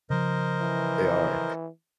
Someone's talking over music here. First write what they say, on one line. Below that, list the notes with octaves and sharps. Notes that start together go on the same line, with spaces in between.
They are,
C#3 F3 A#4 C5 D#5
E3